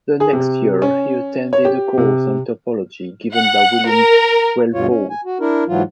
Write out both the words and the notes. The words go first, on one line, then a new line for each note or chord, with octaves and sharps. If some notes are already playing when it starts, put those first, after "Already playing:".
The next year he attended a course on topology given by William Threlfall.
G#4
C3
C#4
C#5
G4
C3
F#5
A#4
D2 G2 B2 F4 C#5
C#4
G#5
F#4
D4 E4 A#4
G#2 E3 F#3 F4